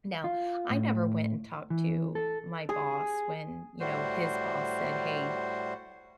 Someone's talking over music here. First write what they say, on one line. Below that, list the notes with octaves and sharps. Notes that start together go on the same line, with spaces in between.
Now, I never went and talked to my boss when, you know, his boss said, "Hey,
F4
A2
E3
A4
G#4
A2 G3 F#4 C5